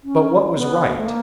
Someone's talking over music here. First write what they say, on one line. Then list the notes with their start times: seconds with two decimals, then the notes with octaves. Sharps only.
But what was right?
0.04 C#4
0.55 B3
0.97 A3
1.07 A#3